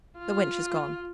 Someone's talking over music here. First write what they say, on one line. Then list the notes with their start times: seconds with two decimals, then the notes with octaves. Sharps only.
The wench is gone.
0.18 F4